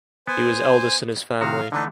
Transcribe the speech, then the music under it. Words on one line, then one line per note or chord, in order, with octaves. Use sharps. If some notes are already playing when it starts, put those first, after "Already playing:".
He was eldest in his family.
B3 C5 G#5
C3 D#3 F#4 F5
D3 E3 A3 D4 D#4 D#5